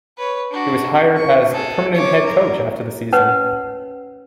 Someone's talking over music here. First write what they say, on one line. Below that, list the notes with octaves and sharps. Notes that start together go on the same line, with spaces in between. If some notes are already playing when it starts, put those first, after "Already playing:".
He was hired as permanent head coach after the season.
B4 C#5
D4 F#4
C#6
G#4 A4
C#5 D6
A#4
C#4 D#4 A#4 B4 C#5 F#5